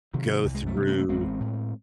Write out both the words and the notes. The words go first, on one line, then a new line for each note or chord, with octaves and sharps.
go through
C3 D#3 F#3
C2
G#3
F#3 A3
C3
A3 C#4
A3
A1 G#3 C4
A2